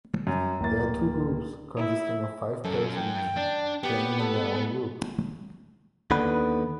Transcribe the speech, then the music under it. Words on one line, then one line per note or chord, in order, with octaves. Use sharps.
There are two groups consisting of five pairs each playing in their own group.
F#2
D1 A#3 A6
E4
F#2 A4
G5
D4
B3 G4
A4
D#2 D3 B3 B4